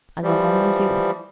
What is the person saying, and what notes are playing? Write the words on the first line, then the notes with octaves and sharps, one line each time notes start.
I love only you.
E3 F3 G3